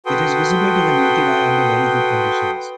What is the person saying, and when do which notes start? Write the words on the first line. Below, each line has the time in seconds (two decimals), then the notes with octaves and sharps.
It is visible to the naked eye under very good conditions.
0.06 F#4 A4 B4 G5 C6 D#6